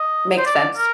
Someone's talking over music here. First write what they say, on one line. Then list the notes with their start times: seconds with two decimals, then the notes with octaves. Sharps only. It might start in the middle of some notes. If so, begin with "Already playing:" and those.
makes sense.
Already playing: D#5
0.38 C5
0.46 D5
0.77 A#4